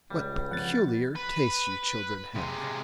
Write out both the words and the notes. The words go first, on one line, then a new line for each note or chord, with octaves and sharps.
"What peculiar tastes you children have!"
C#2 G3
F3 C4 F#5 A6
B4
C3 G#3